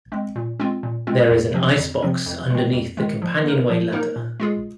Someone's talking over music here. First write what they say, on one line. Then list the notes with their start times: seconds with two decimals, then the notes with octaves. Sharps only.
There is an ice box underneath the companionway ladder.
0.12 G#3 C4
0.36 A#2
0.60 G#3 C4 F4
0.83 A#2
1.07 G#3 C4 F4
1.30 F2
1.54 C3 F3 C4
1.79 F2
2.02 C3 F3 C4
2.26 F2
2.50 D#3 G#3
2.73 F2
2.97 D#3 G#3
3.22 F3
3.45 A#3 D#4 A#4
3.69 F3
3.93 A#3 D#4 A#4
4.16 A#2
4.40 G#3 F4 G#4